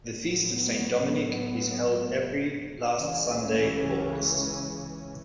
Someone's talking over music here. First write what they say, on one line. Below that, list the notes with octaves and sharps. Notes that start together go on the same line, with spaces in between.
The feast of Saint Dominic is held every last Sunday of August.
A2 F#3 B3
C#2 C#3 E3 C#4